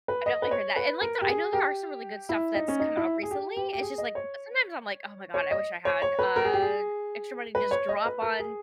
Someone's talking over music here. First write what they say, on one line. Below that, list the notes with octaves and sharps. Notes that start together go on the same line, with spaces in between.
I definitely heard that and, like, the I know there are some really good stuff that's come out recently. It's just, like, sometimes I'm like, "Oh my god, I wish I had, uh, extra money to just drop on
B4
D#5
B4
C#5
B4
A#4
G4
G#4
G4
E4
D#4
C#4
D#4
E4
G#4
G4
G4
G4
G#4
D#5
C#5
C#5
D#5
C#5
C#5
B4
A#4
G#4
G4
G#4
B4
C#5
D#5
B4
A#4
G#4